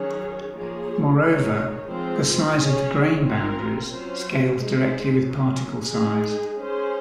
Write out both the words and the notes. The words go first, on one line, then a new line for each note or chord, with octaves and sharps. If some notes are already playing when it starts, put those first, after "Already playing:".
Moreover, the size of the grain boundaries scales directly with particle size.
Already playing: D#3 F#3 C#4 G#4 C#5
F3 A#3 F4 G#4 C#5
D#3 G#3 D#4 G#4 C#5
F3 G#3 C4 F4 C5
C#4 G#4 C#5
C4 F4 A#4
F#3 C#4 F4 C5
G#3 D#4 G#4 C5
F#3 A#3 C#4
G#3 D#4 G#4
C#4 G#4 C5